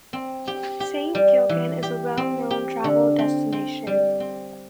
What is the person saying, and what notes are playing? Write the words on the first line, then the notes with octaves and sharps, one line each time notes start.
Saint Gilgen is a well-known travel destination.
C4
G4
G4
G3
E3
G4
C4
G4
D3
C4
C4
G3
C4